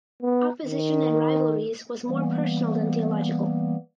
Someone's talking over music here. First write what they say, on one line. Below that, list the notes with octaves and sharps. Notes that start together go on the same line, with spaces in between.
Opposition and rivalries was more personal than theological.
B3
D#3
E3 G3 A#3 B3